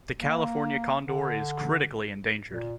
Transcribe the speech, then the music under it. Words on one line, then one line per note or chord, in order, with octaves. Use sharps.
The California condor is critically endangered.
A#3
D3
A#2